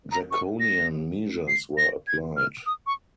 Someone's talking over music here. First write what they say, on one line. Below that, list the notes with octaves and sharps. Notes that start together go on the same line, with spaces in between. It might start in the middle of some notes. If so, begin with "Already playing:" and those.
Draconian measures were applied.
A#5
C#6
A#6
C7
A#6
G#6
F6
D#6
C#6